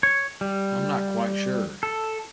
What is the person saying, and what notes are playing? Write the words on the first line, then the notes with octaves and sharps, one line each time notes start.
I'm not quite sure.
C#5
G3
A4